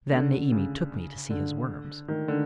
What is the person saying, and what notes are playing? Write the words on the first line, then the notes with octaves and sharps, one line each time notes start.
Then Niimi took me to see his worms.
D3
C#3
D3
D#3
D3